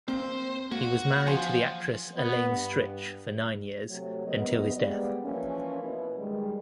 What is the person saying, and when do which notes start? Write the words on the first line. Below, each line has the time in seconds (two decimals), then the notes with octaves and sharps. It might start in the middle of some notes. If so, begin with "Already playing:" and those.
He was married to the actress Elaine Stritch for nine years until his death.
0.08 A#3 C4 C5
0.72 A#3 F#4
1.27 F3 F#5 G#5 C6
2.17 B3
2.50 G2
3.90 C3 F#3 A3
4.27 D2 C3 B3 A#4 D#5
4.76 F2 G3 G#3 A#3 B3 D5
5.23 E3 F3 A#3 C#4
5.82 B2 B3 E4
6.18 D#3 G3 G#3